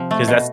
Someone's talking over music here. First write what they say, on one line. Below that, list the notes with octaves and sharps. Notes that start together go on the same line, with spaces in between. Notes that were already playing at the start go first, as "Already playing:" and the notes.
'cause that's
Already playing: C3 F3 C4
A3
B2